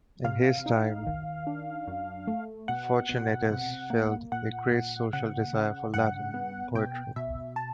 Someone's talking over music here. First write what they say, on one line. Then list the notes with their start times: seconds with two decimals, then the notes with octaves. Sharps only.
In his time, Fortunatus filled a great social desire for Latin poetry.
0.24 C3 F5
0.66 D#4
1.07 D#3
1.47 D4
1.87 F#2
2.27 A3
2.68 B2 F#5
3.09 B2
3.51 C3
3.90 A#3
4.32 A#2 F#5
4.72 A#2
5.13 C#3 F#5
5.53 C#3
5.94 G2 F#5
6.34 B3
6.75 B2 G5
7.16 B2 E5
7.56 A5